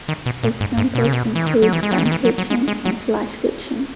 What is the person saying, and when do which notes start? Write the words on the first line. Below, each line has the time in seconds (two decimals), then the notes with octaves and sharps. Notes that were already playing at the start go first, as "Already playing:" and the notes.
Examples include fan fiction and slash fiction.
0.08 D#3
0.26 B2
0.43 A#2
0.61 G#2
0.77 G#2
0.95 B2
1.04 C#3
1.13 B2
1.35 E3
1.46 D#3
1.62 F#3
1.73 E3
1.83 G#3
1.91 F#3
1.98 E3
2.05 D#3
2.12 E3
2.25 F#3
2.38 F#3
2.50 G#3
2.68 G#3
2.85 F#3